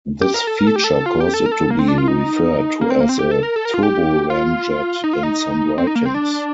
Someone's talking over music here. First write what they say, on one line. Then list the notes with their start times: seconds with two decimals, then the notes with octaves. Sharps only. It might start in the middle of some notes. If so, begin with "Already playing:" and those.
This feature caused it to be referred to as a turboramjet in some writings.
0.22 G4
0.34 A#4
0.47 A4
0.59 A#4
0.67 A4
0.76 G4
0.84 A4
1.06 F4
1.20 G4
1.34 A4
1.46 A#4
1.52 A4
1.70 A#3
1.79 C4
1.88 D4
1.98 F4
2.08 D#4
2.81 A#3
2.90 C4
3.00 A#3
3.09 C4
3.19 G4
3.31 A4
3.43 A#4
3.56 A4
3.65 A#4
3.74 F4
3.83 G4
4.30 F4
5.04 D#4
5.13 F4
5.23 D#4
5.78 C4
5.87 D#4
5.95 A#3
6.05 C4
6.14 D4